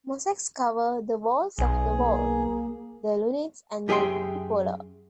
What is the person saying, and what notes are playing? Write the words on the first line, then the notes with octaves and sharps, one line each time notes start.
Mosaics cover the walls of the vault, the lunettes and the cupola.
B1 G#4
A#3
F#2 G4 G#4 E5 G5 C6